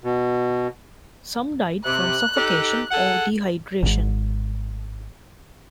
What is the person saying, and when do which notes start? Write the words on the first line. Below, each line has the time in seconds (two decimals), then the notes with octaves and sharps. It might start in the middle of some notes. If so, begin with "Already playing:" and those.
Some died from suffocation or dehydration.
0.04 B2
1.85 C3 F#6
2.36 D#4 G4 A4
2.91 G#4 A4 F#5
3.83 G#1 G#2